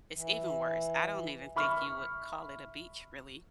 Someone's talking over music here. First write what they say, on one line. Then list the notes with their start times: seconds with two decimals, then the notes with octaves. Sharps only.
it's even worse. I don't even think you would call it a beach, really.
0.15 E3
1.56 E5 B5 C#6 F6